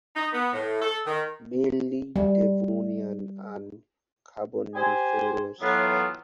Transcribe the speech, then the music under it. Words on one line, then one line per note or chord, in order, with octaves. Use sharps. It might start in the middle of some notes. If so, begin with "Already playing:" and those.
Mainly Devonian and Carboniferous.
D#4
B3
A2
A4
D#3
G3
G4 C5 G#5
A2 E3 F#3 B3 F4